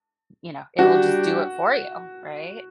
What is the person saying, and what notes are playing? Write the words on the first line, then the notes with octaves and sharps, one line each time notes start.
you know, it will just do it for you, right?
G3 D4 F#4 G4